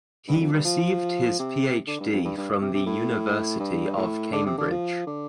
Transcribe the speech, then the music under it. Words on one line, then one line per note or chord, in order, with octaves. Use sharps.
He received his PhD from the University of Cambridge.
G2
F2
G2
F3
C3
D3
G2
F2
G2
G2
C3
C3
A2
G2
A2
D3
C3
D3
F3
D3